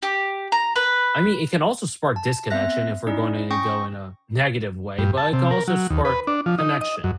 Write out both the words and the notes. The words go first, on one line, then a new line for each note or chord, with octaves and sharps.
I mean, it can also spark disconnection if we're gonna go in a negative way, but it can also spark connection,
G4
A#5
B4
A5
B3 C4 E5 F#6 A#6
C#4 D#4 E4 D5
C#4 G5 C#6 A#6
G2
A5
C3
A#4
F#3
D#2
B4
D4
F3
D#4
D#5
F#2